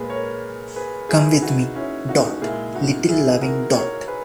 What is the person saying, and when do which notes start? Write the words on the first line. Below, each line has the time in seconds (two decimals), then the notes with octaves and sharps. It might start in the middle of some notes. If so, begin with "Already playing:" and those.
Come with me, Dot — little loving Dot.
Already playing: A#2 G#3 G#4 B4
0.10 A#4 C#5
0.76 G#4 B4
1.09 E4 G#4
1.42 D#4 F#4
1.75 C#4 E4
2.09 D#4 F#4
2.42 A#2 G#3 E4 G#4
2.75 D#4 F#4
3.08 E4 G#4
3.41 F#4 A#4
3.74 A#4 C#5
4.07 G#4 B4